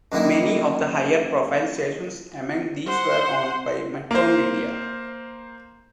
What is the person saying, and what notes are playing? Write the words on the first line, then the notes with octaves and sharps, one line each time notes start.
Many of the higher-profile stations among these were owned by Metromedia.
F#2 D3 D#3 A#3 D#4 E4
C5 F#5
A#3 C5